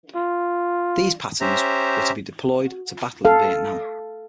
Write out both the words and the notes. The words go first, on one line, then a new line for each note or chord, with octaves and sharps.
These Pattons were to be deployed to battle in Vietnam.
F4
C#4 G4 C5 E5 A#5
A4 F5